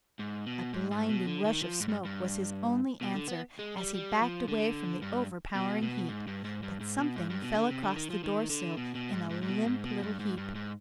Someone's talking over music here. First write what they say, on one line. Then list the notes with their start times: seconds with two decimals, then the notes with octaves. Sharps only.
A blinding rush of smoke was his only answer as he backed away from the overpowering heat, but something fell across the door-sill in a limp little heap.
0.19 G#2
0.46 B2
0.73 G#2
0.91 G#2
1.09 B2
1.26 D3
1.45 D#3
1.62 F3
1.80 G#2
1.88 G2
2.05 G2
3.01 B2
3.14 D3
3.28 B3
3.59 G#3
3.77 G3
3.94 G3
4.21 F3
4.48 D3
5.02 G2
5.55 B2
5.82 B2
6.09 G#2
6.27 G2
6.45 G#2
6.63 G2
6.81 G#2
6.99 B2
7.16 G#2
7.30 G2
7.42 B2
7.56 D3
7.70 C3
7.83 D3
7.96 D#3
8.10 F3
8.24 D#3
8.50 D3
8.77 B2
8.95 B2
9.13 G#2
9.30 G#2
9.42 G#2
9.48 B2
9.66 G#2
9.84 B2
10.02 G2
10.20 G#2
10.37 G2
10.55 G#2